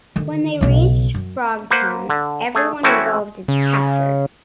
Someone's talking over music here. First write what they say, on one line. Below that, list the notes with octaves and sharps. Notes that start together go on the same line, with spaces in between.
When they reach Frogtown, everyone involved is captured.
D3 D#3
B1 C#3
F#2
A#3 B4 C5 F#5
D3
A3 G#4
E3 A3 C4 C#4 E4 F#4
C#3